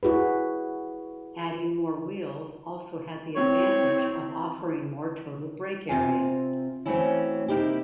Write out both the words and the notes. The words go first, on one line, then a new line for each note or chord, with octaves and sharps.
Adding more wheels also had the advantage of offering more total brake area.
E4 F#4 G#4 B4
C4 E4 C#5
C3 C4 F4 G#5
E3 F#3 A3 C4 C#4 E4
C3 A#3 D#4 E4 G4